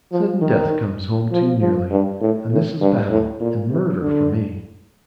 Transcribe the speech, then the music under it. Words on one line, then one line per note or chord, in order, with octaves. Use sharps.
Sudden death comes home too nearly, and this is battle and murder for me.'
F3
D#3
F3
F3
G2
A2
A2
G2
A2
A#2
C3
D3